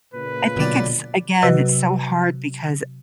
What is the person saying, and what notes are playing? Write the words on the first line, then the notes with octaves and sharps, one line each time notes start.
I think it's again, it's so hard because
A#2 C#3 B4
B1 B2 D3 B3 D5
C3 F#3 F#4 B4 D#5